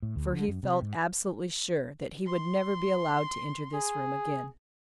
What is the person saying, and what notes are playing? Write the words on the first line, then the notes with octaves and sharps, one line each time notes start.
For he felt absolutely sure that he would never be allowed to enter this room again.
A2
D2
D3
F#2
C3
G#2
C6
G#4